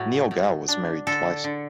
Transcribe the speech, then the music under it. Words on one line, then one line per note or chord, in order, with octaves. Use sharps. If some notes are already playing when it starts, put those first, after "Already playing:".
Niel Gow was married twice.
Already playing: A2 F#3 F#4
A2
D4
D3 A4
D3